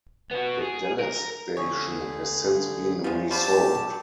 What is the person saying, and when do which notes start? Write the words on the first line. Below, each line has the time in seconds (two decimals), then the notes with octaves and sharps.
The Dallas station has since been resold.
0.31 B3 F#4
0.62 G#4
1.00 A#4
1.57 D3 A3 G#4 C#5
3.04 F3 G#3
3.31 F#3 G3 F4 G4 C5 A5 B5